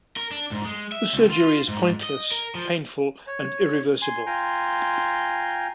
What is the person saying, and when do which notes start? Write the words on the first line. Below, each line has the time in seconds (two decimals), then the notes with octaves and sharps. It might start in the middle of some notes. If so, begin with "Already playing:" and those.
The surgery is pointless, painful and irreversible.
0.17 A#4
0.31 D4
0.52 G#2
0.65 G#3
0.92 E5
1.13 C#2
1.30 F4
1.69 G#2
2.03 D#5
2.31 A#4
2.55 F3
3.27 C#5
4.02 G#5 C6
4.26 F4 G5 G#5 A#5 C6